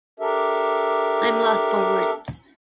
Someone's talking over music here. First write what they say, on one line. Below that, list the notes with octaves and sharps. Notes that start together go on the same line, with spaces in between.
I'm lost for words.
D4 G4 A4 A#4 E5